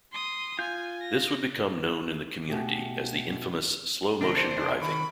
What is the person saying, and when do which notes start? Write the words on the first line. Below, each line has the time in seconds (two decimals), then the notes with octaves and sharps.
This would become known in the community as the infamous "slow-motion driving".
0.12 C6 D#6
0.59 F4 G#5 G6
1.01 A#6
2.49 B2 G#3 A3 G4
4.21 C3 D#3 A3 D4 A#4
4.36 C5
4.57 F1 D#4
4.81 D#3 B5 C#6